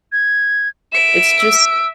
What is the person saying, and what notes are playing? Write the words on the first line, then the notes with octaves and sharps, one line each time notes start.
It's just
G#6
E5 D7 E7
E6